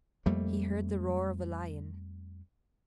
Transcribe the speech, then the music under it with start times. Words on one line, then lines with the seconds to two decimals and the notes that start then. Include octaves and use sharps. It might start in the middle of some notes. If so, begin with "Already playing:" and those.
He heard the roar of the lion.
0.26 F2 G3 A3 A#3